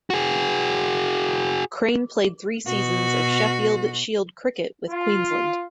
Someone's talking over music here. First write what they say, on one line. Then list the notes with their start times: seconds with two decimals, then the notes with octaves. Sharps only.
Crane played three seasons of Sheffield Shield cricket with Queensland.
0.10 F#4 G#4
2.67 B2 F#4
4.89 F4